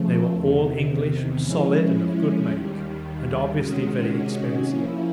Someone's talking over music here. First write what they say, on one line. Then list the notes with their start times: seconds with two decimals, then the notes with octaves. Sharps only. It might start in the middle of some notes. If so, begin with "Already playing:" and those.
They were all English, solid, and of good make, and obviously very expensive.
Already playing: C#3 F3 A3
0.33 E2 C3 D#3
1.41 F3 G#3 C#4 E4
2.50 D#2 D#3 G3
3.58 C3 D#3 G#3 C#4 F#4
4.66 F3 A#3 C#4 E4